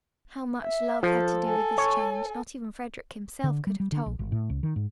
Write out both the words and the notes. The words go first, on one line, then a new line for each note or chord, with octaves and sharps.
How much love had to do with this change not even Frederick himself could have told.
E5
F3 A4
A4 G#5
C#5
D3
G3
G3
D3
A#1
G#1
A2
C#2
D#3
G#2